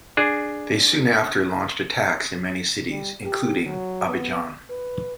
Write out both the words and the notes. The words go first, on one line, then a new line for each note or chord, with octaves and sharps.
They soon after launched attacks in many cities, including Abidjan.
D4 G#4
G3
G4
F#3
B3
B4